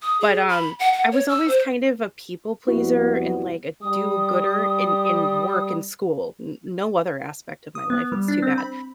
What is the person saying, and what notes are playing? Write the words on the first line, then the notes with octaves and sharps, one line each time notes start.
But, um, I was always kind of a people pleaser, and, like, a do-gooder in in work and school. N no other aspect of my life, it's too bad.
D#6
G#4
B5
F#5
F#5
C#5
E6
C5
F2 G3 B3 E4 F#4
G3 D#6
D#6
B3
G3
D4
C4
B5